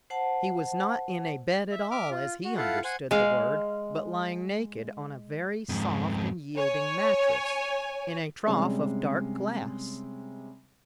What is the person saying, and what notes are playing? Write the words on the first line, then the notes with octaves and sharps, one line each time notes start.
He was not in a bed at all as he understood the word, but lying naked on a very soft and yielding mattress, in a trough of dark glass.
C5 F#5 A5
E5
E5 D6 F6
F4
F#4
E4 F4 A4 F5 F#5
C5 F#5 G#5
G#3 F5
F2 G#2
C#5 G#5
C3 G3 G#3 C#4